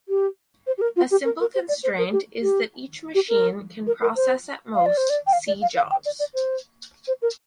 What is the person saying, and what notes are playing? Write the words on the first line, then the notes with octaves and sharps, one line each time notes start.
A simple constraint is that each machine can process at most "c" jobs.
G4
C5
G4
A#4
F4
G4
A#4
A#4
C5
D5
C5
A#4
G4
G4
G4
A#4
A#4
A#4
C5
F5
D5
C5
D5
G5
F5
D5
F5
F5
G5
D5
D5
C5
C5
A#4